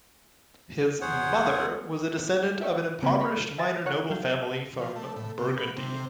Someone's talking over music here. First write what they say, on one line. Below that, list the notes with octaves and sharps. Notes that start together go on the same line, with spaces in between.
His mother was a descendant of an impoverished minor noble family from Burgundy.
E2 G#4 C5 C#5 F#5
E5 G5 C#6
C#3 A#3 C4 G#4 B4
A#5 B5 C#6
E5 G#5 A6 A#6 E7
A#4 C#5 F#5 C#6 F6 F#6
F#3 F5 G6
F3
A3
A2
C3
B3
C3